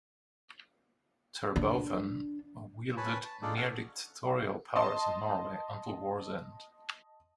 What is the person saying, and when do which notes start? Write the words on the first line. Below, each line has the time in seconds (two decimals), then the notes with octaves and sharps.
Terboven wielded near-dictatorial powers in Norway until war's end.
1.56 D4
2.97 B4 C#5 G#5 A5 B5
3.25 A5
3.42 D4 D#4 F4 G#4 A4 D5
3.56 C#4 A4 C#5 F#5 F6
4.76 D#5 A5 C6